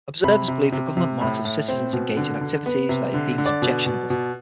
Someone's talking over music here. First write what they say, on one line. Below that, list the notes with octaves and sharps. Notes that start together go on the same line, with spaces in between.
Observers believe the government monitors citizens engaged in activities that it deems objectionable.
C3 B5
C3
C3
C3
A2 B5
A2
C4
B2
D3
D3
B3
C3
D3
D3
D5
B2
B2
B2